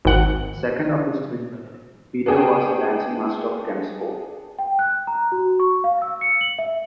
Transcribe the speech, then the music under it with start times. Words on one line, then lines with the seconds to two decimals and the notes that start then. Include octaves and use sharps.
The second of his three brothers, Peter, was a dancing master of Chelmsford.
0.05 G#1 F#5
2.26 B3 D4 G#4 G5
4.59 G5
4.79 F#6
5.07 A#5
5.32 F#4
5.60 C#6
5.84 F5
6.02 E6
6.21 C#7
6.41 F#7
6.59 E5